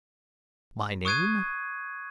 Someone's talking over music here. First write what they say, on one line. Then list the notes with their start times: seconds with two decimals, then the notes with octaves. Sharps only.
"My name?"
1.05 C#6 D#6 F#6 G#6 C7 D#7